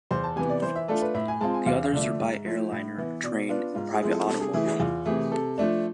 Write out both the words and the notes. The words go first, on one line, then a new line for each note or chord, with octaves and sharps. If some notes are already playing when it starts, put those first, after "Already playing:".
The others are by airliner, train, and private automobile.
E2 C5
A5
C3 E3 B3 G#5
D5
E3 C5
E5
A3 D4 F4 A4
B4
A2 E5
G#5
G#3 C4 F4 A5
G#5
E2 F5
F5
D3 F3 A3 D4
E5
G#2
F3 A3 E4
A2
E3 B3 E4
B2 D5
B3 D4 F4 B4
G#2 F4
G#4
F3 G#3 C4 E4
A4
C3 A4
G#4
E3 A3 E4 G#4
G#4
E2 F4
C3 E3 A3 G#4
C3 A4
F3 A3 D4